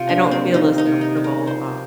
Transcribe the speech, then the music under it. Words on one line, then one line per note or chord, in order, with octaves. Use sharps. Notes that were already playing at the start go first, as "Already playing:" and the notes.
I don't feel as comfortable, um
Already playing: C3 F4 G4
D4
A#3
C4
D#3 D#4
D#4
C3
D#4
G3
A#4
F3 C5